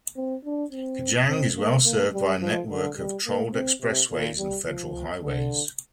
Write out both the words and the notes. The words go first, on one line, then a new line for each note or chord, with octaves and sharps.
Kajang is well-served by a network of tolled expressways and federal highways.
C4
D4
C4
C4
A#3
A#3
G3
F3
D3
G3
A#3
C4
C3
A#2
G3
F3
D3